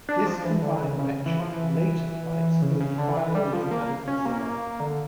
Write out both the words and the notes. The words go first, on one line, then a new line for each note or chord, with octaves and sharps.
This combined mecha later fights both Fire Rodan and Godzilla.
D4
F3
E3
D3
C#3
C#3
E3
F3
E3
C#3
C#3
D3
E3
G3
F3
A#3
C#4
A#3
D3